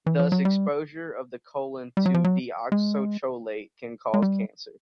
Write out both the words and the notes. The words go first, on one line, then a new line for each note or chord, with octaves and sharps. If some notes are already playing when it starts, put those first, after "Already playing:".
Thus, exposure of the colon to deoxycholate can cause cancer.
E3
F3
F#3
G3
G3
F#3
F3
F#3
G#3
G#3
G3